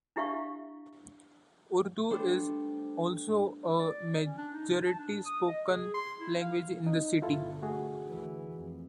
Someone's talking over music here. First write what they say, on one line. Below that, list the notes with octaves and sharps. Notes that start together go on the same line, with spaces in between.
Urdu is also a majority spoken language in the city.
D4 E4 G4 E5 F5 C#6
G3 A3 B3 D4 C5
D5
C#4
D4
D#4
A5
D4
D#6
D#5
G#4
C6
E4
F5
D#4
G1 B2 E4 F4 A4
A3 F#4 G#4
D2 E3
F2